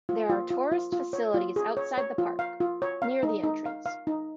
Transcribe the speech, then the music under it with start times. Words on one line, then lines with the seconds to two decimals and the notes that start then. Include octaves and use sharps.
There are tourist facilities outside the park, near the entrance.
0.09 F4
0.29 F4
0.50 F4
0.72 F4
0.93 F4
1.13 C#5
1.34 F4
1.56 G#4
1.77 C#5
1.98 C#5
2.18 F4
2.39 F5
2.60 F4
2.82 C#5
3.02 F5
3.23 D#4
3.43 D#4
3.66 F5
3.86 F5
4.07 D#4